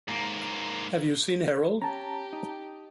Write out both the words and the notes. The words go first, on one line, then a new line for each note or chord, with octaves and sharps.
Have you seen Harold?
G#2 A#3
C#4 G4 A5 A#5
D#4